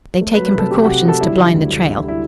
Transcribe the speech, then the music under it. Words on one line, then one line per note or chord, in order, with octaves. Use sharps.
They've taken precautions to blind the trail.
A3
B4
F#3
B4
C3 A4
C3 G4
C3 F#4
F#3 A4
G3 E4
D3
D2
D2
D3
G3
E4